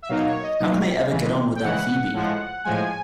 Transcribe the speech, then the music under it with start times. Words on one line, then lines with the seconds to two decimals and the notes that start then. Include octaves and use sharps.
How can I ever get on without Phebe?
0.02 E5
0.08 B2 F#3 A#3 D#4 F5
0.27 C#5
0.43 D#5
0.60 B2 F#3 A#3 D#4
1.11 C#3 E3 G#3
1.55 G5
1.62 C#3 E3 G#3 F#5
2.14 A2 F3 G#3
2.64 A2 F3 G#3 G#5